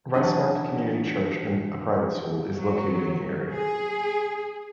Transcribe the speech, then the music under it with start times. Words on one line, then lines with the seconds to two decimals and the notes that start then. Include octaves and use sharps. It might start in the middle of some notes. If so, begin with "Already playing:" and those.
Rispark Community Church and a private school is located in the area.
0.14 E1 F#3 D4 D#4 G#4
2.55 F#3
3.52 G#4